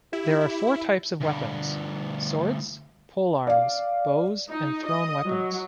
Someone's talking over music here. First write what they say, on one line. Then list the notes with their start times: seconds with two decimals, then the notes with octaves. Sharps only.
There are four types of weapons: swords, polearms, bows, and thrown weapons.
0.13 E4 G4
1.20 D2 G2
3.47 D5 F5
4.49 D#4
4.87 D#5
5.26 F#3